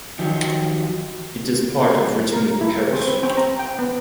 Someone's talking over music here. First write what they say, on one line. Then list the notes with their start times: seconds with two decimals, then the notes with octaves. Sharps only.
It is part of Richmond Parish.
0.19 D#3 F3 F#3 G4
2.33 A#4
2.61 E4
2.93 C4
3.07 B4
3.23 C4
3.37 A#5
3.59 G5
3.79 B3